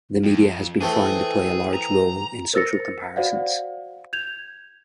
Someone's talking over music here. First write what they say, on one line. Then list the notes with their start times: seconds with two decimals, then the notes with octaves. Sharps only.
The media has been found to play a large role in social comparisons.
0.23 F2
0.81 E3 A3 C4 G#4
1.74 A#5
2.54 A#4 C5 E6 A6 A#6 C#7
3.16 F#4 C5 D5 F5 F#5
4.13 G6 G#6 F7